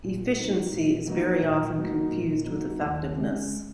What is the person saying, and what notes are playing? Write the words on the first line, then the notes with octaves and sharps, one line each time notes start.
Efficiency is very often confused with effectiveness.
A#2
F#3 A#3 D#4
A#2
F#3 A#3 D#4
A#2
F#3 A#3 D#4
A#2
F#3 A#3 D#4
D#2
C#3 G#3